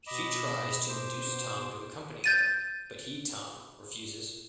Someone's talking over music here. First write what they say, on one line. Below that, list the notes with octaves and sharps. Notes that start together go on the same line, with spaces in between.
She tries to induce Tom to accompany her but he Tom refuses.
B2 D#5 B5 D6 E7
C5 D6
G6 A6 D#7